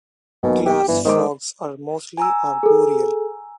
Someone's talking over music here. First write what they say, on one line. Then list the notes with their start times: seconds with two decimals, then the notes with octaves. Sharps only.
Glass frogs are mostly arboreal.
0.43 B1 B2 A#3 G#5
0.66 G4
0.88 G1 E3
1.05 D#3 G#3 C5 D6
2.17 G#5 A#5 E6
2.63 G#4 A4